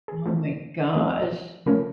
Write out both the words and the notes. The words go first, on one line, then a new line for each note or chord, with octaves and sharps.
Oh my gosh.
G#4
F3 A3 C4
F3 A3 C4
C#3 F3 A3 C#4 A#4